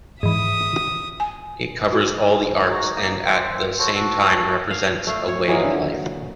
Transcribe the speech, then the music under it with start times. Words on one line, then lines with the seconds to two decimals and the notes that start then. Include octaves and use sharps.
It covers all the arts and at the same time represents a way of life.
0.23 G#2 E3 E5 D#6
1.20 G#5
1.92 F#4
2.31 G#4
2.70 D#4 F#4 A#5
2.96 A#3 D#4
3.26 C5 E5 G5
3.79 F#4 A4 C5 C#5
3.95 F#4 A4
4.71 F5
5.07 A3 F5
5.28 C#5
5.48 E3 F#3 G#3 A#3
5.64 D3